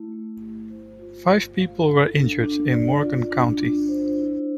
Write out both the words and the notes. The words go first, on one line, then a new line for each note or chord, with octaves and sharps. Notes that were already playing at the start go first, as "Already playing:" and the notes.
Five people were injured in Morgan County.
Already playing: A3 E4
A3
G4
C5
F4
F4
F5
A4
D4
D4
D5
F4
D4
D4
C5
E4